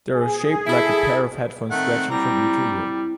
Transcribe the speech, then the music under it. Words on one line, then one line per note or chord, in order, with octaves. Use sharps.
They are shaped like a pair of headphones stretching from ear to ear.
G#4
E4 A4
D#3 A3 C4 F#5
G3 E4 A#5